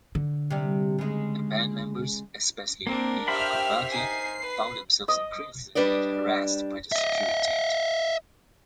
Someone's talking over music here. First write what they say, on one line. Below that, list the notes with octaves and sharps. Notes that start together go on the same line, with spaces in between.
The band members, especially Nicu Covaci, found themselves increasingly harassed by the Securitate.
D3
C3 G3
C#3 G#3
A#3 C4 D4 A#4
G4 C5 E5 F5 B5 F6
D#4 G#5 C7
B4
D#5
G3 D4 B4 D5 D#5
D#5 E5